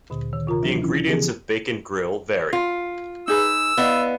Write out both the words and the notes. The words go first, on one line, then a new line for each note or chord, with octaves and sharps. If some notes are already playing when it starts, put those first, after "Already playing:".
The ingredients of Bacon Grill vary.
D2 A#2 D3
D#3
C3 F4 A#4 A#5
E3 F#3 D4
E3 C#4 E4
C#3 E3 F3 B3 G4 G#4
F4
D#4 G#4 B4 E6
B3 E4 D5 D#5 F5